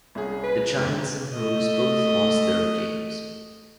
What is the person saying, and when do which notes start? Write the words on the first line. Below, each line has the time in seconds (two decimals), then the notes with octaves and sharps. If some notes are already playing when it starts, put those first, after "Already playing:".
The Giants and Brewers both lost their games.
0.15 C2 C#4 G#4
0.44 B4
0.76 F2 G#2
1.34 A3 D#5